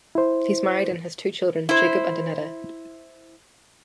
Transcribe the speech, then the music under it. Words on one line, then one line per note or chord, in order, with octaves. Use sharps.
He is married and has two children - Jakub and Aneta.
E4 C5
E4 C5